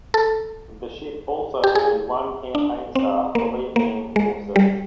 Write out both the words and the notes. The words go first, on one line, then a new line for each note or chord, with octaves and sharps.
The ship also earned one campaign star for Vietnam War service.
A4
G4
G#4
D4
C4
A#3
A#3
G#3
G3